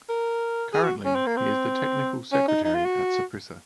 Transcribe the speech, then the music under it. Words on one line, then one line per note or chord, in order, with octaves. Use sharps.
Currently, he is the technical secretary at Saprissa.
A#4
G#4
F#4
C#4
C4
A#3
C4
C#4
D#4
D#4
F4
F#4